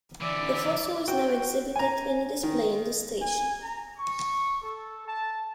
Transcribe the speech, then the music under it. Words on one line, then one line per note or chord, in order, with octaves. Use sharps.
The fossil is now exhibited in a display in the station.
D3 E3 D5 E5
F#4 G5
G#5 A#5
D#3
G#5
A#5
C#6
A4
A5